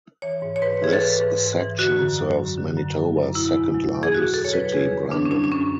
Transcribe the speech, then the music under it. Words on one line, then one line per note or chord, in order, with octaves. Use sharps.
This section serves Manitoba's second largest city, Brandon.
E3 C#5
G#2
C#5
G#2 B4
E3 G#4
A4
E3 B4
G#2
G#2
E3
D3 F#4
F#2
F#3
F#2
D3
F#2
F#3
F#2
B2 E4
E2
F#3
E2
G#4
B2 F#4
E2 A4
C#5
F#3 B4
E2 G#4
D3
F#2 D4
C#4
F#3 D4
D4
F#2 C#4